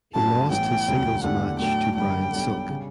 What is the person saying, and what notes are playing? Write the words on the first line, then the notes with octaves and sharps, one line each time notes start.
He lost his singles match to Bryan Silk.
G1 G2 F#3 A3 C#4 A5
A1 A2 E3 B3 G5
E1 D2 C#3 F#3
E2 D3 A3 D4 G4 F#5
A2 F#3 A3 D4 A4 G5
F#1 F#2 D3 G3 G5
B1 B2 G3 D4 A4
C#3 G3